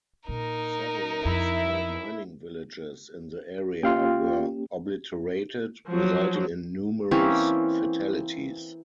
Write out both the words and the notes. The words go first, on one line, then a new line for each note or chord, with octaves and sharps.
Several small mining villages in the area were obliterated, resulting in numerous fatalities.
A#2 D#4 A#4
F2 E4
A#3 C#4 F4 G4 F5 G5
F3 F#3
E3 A#3 C4 C#4